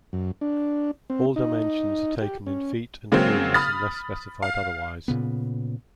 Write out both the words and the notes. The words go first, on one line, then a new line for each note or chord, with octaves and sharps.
All dimensions are taken in feet and degrees unless specified otherwise.
F#2
D4
C4
D#4
G4
C#4
C#3 F#3 G#3 A#3 C4
B5 D#6 F6 A6
F5
A#2 C#3 B3